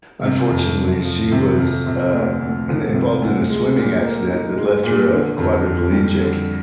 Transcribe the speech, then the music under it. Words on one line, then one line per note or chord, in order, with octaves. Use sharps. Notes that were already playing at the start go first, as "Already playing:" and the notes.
unfortunately, she was, uh, involved in a swimming accident that left her a quadriplegic,
C3
F2
F2
F3
C3
F2
C3
D2
D2
F3
C3
D2
G#3
A#2
A#4
D#4
G#3
A#2
D3
F2
F2
G3
D3